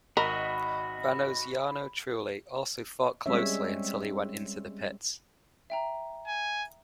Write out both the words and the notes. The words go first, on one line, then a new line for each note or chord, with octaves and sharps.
Renault's Jarno Trulli also fought closely until he went into the pits.
G#1 F#4 A#4 D#5 B5
G3 G#3 C4 C#4 C#5 E5
E5 G5 A#5
G#5